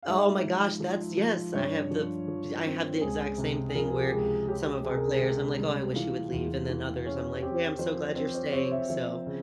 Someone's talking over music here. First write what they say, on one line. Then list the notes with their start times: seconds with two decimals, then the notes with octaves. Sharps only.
Eh, oh my gosh, that's yes, I have the f I have the exact same thing where some of our players I'm like, "Oh, I wish he would leave," and then others, I'm like, "Yeah, I'm so glad you're staying," so
0.03 F5
0.07 G#2 E5
0.44 F3
0.80 F3
1.17 F3
1.54 G2 C#5
1.91 F3
2.28 F3
2.65 C4
3.01 C#2 G#4
3.38 C3
3.69 G#4
3.75 F3 A#4
3.88 G#4
3.99 G4
4.12 C#2
4.23 G#4
4.48 C#4 G4
4.66 G4
4.84 C3 G#4
4.97 A#4
5.04 G#4
5.21 C3
5.58 G3
5.95 E3 F4
6.32 E2
6.69 E3
7.06 C#4
7.42 C4 G4
7.79 F3 C5
8.15 C4 C5
8.34 C5
8.52 C4 C#5
8.71 E5
8.89 F3 E5
9.26 C#3